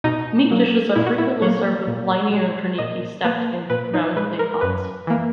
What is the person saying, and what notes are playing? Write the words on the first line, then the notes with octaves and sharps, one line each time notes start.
Meat dishes are frequently served with bliny or draniki stacked in round clay pots.
B2 D#4
F#3 A#3
A#2 E4
F#4
E4
F#3 A#3 C#5
A#2
G#3
A#2 D#5
A#3 B4
A#2 B4
D#4
G#3 B4
A#4
F#2 B4
E3 A#3